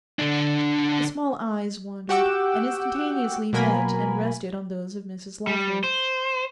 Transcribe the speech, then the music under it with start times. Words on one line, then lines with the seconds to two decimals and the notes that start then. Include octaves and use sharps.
His small eyes wandered, and instantaneously met and rested on those of Mrs Lawford.
0.19 D3 D4
2.09 F#4 G4 F#5 G5 D6 E6
3.53 B2 F#3 A#3 A#4 G#5 B5
5.47 G3
5.84 C5